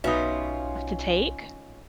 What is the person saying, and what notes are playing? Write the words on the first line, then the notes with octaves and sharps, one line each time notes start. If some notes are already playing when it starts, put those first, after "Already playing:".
to take.
B1 B2 B3 C#4 D#4 F4 E5